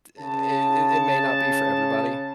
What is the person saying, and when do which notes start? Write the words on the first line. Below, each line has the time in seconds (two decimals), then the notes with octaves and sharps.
it it it may not be for everybody.
0.19 C#3 A5